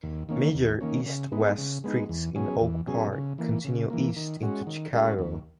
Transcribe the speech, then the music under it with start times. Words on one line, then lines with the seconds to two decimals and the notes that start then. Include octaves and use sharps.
Major east-west streets in Oak Park continue east into Chicago.
0.03 D#2
0.29 D#3 A#3 C#4
0.54 D#2
0.81 D#3 A#3 C#4
1.06 C#3
1.32 G#3 B3 D#4
1.58 C#3
1.84 G#3 B3 D#4
2.09 E2
2.35 B2 F#3 C#4 G#4
2.60 E2
2.87 B2 F#3 C#4 G#4
3.13 C#3
3.38 E3 A#3
3.65 C#3
3.90 E3 A#3
4.16 D#3
4.42 G#3 C#4 F#4
4.67 D#3
4.93 G#3 C#4 F#4
5.19 D#2